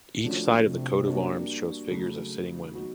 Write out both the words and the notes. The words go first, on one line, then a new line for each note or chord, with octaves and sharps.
Each side of the coat of arms shows figures of sitting women.
C#3 F3 A3 D4 F#4
C3
G3 A#3 D4 F#4
C#3 F#3 A3
F#3 B3 D#4 F#4